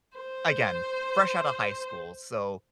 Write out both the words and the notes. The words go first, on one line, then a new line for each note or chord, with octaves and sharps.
again, fresh out of high school. So,
C5